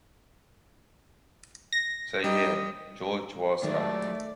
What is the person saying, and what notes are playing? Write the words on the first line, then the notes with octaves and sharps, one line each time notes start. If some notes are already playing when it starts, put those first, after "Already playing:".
So yeah, George was right.
A#6
G3 D#4 D#5 G5
D#3 F#3 G#3 A3 D5